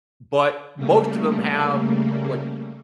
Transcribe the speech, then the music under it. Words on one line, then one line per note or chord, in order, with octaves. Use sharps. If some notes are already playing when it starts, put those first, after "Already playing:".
but most of 'em have, like,
C#3 G3 A3 A#3